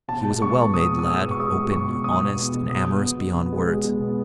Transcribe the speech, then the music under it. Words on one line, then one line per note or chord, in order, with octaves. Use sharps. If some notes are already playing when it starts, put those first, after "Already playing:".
He was a well-made lad, open, honest, and amorous beyond words.
B2 A5
G#3
B3 C#6
B2
B2 D#6
B3
D#6
B3 E6
B3
C#6
G#3 D#6
G#3
B2 C#6
B2
B2 D#6
B3
B2
B2
B3 D#6
B3
B2
B2
B3
G#3
G#3
B2
B3